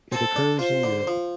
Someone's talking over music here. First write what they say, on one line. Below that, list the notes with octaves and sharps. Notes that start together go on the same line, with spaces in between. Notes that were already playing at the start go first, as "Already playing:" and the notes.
It occurs in Europe.
C4 A4
D4
F4 C5
D3
F3